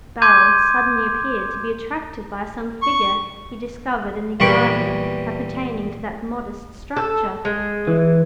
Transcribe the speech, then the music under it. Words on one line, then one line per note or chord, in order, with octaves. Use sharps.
Barold suddenly appeared to be attracted by some figure he discovered in the garden appertaining to that modest structure.
C6 D6 G6 G#6 D#7
C#6
E2 A#2 G3 B4 C#6 D6
A4
G#3
E3